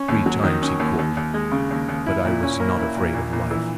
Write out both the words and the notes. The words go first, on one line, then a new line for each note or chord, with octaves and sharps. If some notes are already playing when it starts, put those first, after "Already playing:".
Three times he called--but I was not afraid of life.
Already playing: C#4
D#2
F#3
D#3
C#4
D#2
D#2
D#2
G#3
C#3
D#2
D#2
E4
A#2
C#4
A#3
E4
A#2
A#1
A#1
E3